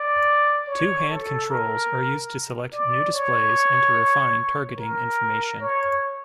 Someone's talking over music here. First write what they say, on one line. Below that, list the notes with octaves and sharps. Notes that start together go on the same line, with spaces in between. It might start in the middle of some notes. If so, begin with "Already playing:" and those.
Two hand controls are used to select new displays and to refine targeting information.
Already playing: D5
C#5
A4
A#4
D5
C#5
A#4
C#5